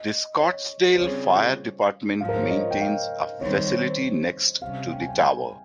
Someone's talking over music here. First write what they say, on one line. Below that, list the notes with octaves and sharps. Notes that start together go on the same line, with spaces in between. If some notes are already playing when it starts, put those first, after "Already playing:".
The Scottsdale Fire Department maintains a facility next to the tower.
Already playing: D#5
C#5
C5
C#3 G3 C4 F4 G#4 C#5
G#2 F3 G#3 F5
A#4
C5
C#5
D#5
G5
F5
D#3 G3 C4 C#5
C#5
C5
C5
C3 G3 C#4 F5
G5
G#5
G5
G#5